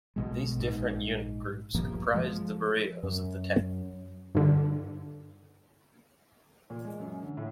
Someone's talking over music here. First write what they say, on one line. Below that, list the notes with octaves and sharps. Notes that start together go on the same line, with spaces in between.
These different unit groups comprised the barrios of the town.
B1 B2 G#3
A#1 G#2
A#1 G2 F3 A#3
F3 G#3
F#2
G2 D3
A#2
G#3
F#2
D3
A2